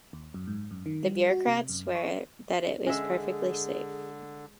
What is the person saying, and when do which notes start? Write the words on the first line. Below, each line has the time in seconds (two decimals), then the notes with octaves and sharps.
The bureaucrats swear that it is perfectly safe.
0.13 D#2
0.34 F#2
0.47 G#2
0.71 F#2
0.86 D#3
1.03 G3
1.30 F#4
1.47 C3
1.69 F#2
1.95 C#6
2.87 D3 G#3 C#4 G#4 E5